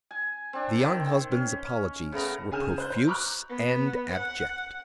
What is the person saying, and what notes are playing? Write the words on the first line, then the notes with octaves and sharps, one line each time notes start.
The young husband's apologies were profuse and abject.
G#5
C4 D4
D#3 C5
C#4
C#3 A3 B3 A#5
C#3 G#4 G#5 F6 G6 E7
C5 F#6 G6
C5
A#5 B5 C#6 D6 F6 F#6
B3
F#5